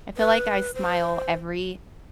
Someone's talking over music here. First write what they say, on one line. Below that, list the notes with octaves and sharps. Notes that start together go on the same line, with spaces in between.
I feel like I smile every
B4
C5